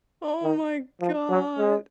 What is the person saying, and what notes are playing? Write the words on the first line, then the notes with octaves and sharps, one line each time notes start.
Oh, my god.
D#3
F3
F#3
G#3